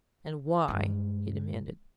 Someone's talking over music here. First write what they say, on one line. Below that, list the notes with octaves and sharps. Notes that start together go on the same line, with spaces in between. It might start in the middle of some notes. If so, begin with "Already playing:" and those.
"And why?" he demanded.
G2 G#3